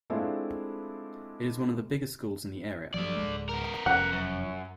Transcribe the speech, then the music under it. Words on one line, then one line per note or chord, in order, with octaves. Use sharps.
It is one of the bigger schools in the area.
G#3 A3 C4 D4 E4 F4
G2 F3 F#3 A3 D5
D1 E2 G#3
B3 A#4
F1 F3 C#4 F#5
F#2